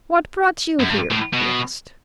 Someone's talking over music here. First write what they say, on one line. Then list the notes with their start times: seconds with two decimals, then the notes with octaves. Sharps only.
"What brought you here?" he asked.
0.80 F#2
0.89 G2
1.11 A2
1.34 B2